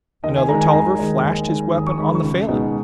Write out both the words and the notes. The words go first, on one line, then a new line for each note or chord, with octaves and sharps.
Another Tolliver flashed his weapon on the Falin.
D#2 D#5
G#5
D#3 G#3 D#4 A#5
G#5
D#2 A#5
D#3 G#3 D#4
D#2
D#3 G#3 D#4
D#2 D#6
C#6
D#3 G#3 D#4 B5
C#6
C#2
B2 G#3 D#4